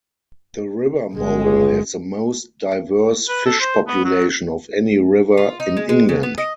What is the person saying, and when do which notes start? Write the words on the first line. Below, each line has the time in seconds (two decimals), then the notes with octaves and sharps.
The River Mole has the most diverse fish population of any river in England.
1.14 G1 G#3
1.45 C#2
3.29 B4
3.46 A4
3.60 C5
3.88 B3
4.05 F#3
5.37 F4
5.60 D#4
5.77 G#3
5.89 G#3
6.09 C#3
6.23 B3
6.38 D#5